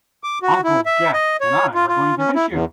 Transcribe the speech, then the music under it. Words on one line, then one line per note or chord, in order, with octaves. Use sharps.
Uncle Jack and I are going to miss you.
D6
F#4
E4
E5
D#5
C#5
F4
F4
C#4
E4
E2